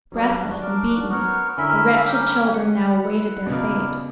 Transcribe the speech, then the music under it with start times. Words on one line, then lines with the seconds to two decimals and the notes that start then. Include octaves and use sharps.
Breathless and beaten, the wretched children now awaited their fate.
0.12 F#3 G3 B3 D4 F#4
0.61 D4 F#4 A#4 D5
1.09 B3 F#4 A#4 C#5
1.57 D3 C#4 E4 A#4 E5
2.06 G3 C#4 G4 A#4
2.53 C#4 G4 C#5 F#5
3.02 E4 B4 F#5
3.46 B2
3.50 C#3 B3 E4 A#4 D5